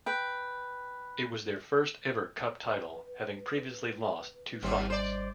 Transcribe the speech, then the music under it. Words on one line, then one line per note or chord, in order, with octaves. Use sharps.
It was their first ever cup title having previously lost two finals.
B4 G5
B4
G#1 D#2 G3 C4 D6
C5 D5